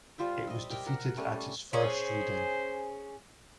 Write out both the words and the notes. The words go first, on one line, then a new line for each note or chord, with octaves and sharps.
It was defeated at its first reading.
G3 F4 C5 E5
D#5 E5
G4 A#4 E5 G5
A#4 F#5
G3 A3 C#4
C#4 G#4 C5